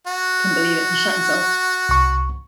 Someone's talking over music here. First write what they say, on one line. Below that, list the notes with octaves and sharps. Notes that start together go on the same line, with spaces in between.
I couldn't believe it, he shat himself!
F#4
C2 C#6